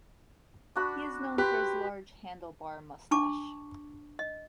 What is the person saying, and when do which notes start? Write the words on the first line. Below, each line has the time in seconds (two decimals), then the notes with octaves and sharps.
He is known for his large handlebar moustache.
0.76 D4 F#4 B5
1.38 G4 B4 C6
3.11 D4 A5 C#6 D6
4.19 D#5